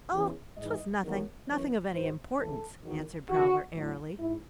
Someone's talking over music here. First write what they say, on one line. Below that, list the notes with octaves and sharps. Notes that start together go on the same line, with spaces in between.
"Oh, 'twas nothing--nothing of any importance," answered Prowler airily.
E2 C#3 E3
G#2 E3 D#5
E2 D#3 F#3
F#2 E3 C#5
G#2 F#3 C5
E2 C#3 E3 A4
E2 D#3 F#3
E2 C3 D#3 F#4
A2 F#3
G#2 E4